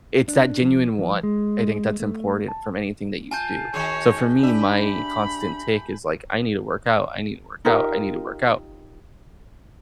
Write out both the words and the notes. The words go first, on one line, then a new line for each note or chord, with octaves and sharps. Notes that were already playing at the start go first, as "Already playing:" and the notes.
it's that genuine want. I think that's important from anything that you do. So, for me, my constant take is, like, I need to work out, I need to work out, I need to work out.
D4
F3
F3
G#3
A3
A5
F4 G#5 A5 G6
D#3 F#4 G#4 C#5
D4 G4 E5 B5
D#4 F4 G4 A#4